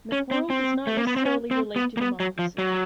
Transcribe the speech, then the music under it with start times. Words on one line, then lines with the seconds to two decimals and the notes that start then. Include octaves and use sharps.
McWorld does not necessarily relate to democracy.
0.12 C#4
0.31 C4
0.50 C4
0.87 A3
0.97 A#3
1.07 B3
1.16 C4
1.25 C#4
1.51 C4
1.76 B3
1.97 A#3
2.01 B3
2.20 F#3
2.39 F3
2.58 F#3